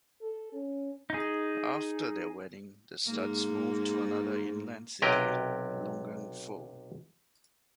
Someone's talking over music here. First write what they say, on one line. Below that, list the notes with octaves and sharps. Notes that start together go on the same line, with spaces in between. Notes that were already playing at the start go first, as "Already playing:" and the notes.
After their wedding the Studds moved to another inland city - Lungang-Fu.
A4
C#4
D#4 G#4
G#2 A#3
B1 C3 F#3 G4 A#4 D#5